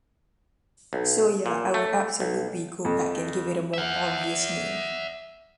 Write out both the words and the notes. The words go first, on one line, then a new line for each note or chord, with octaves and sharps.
So yeah, I would absolutely go back and give it a more obvious name.
B1
A#2
A3
B1
F2
E5 F#5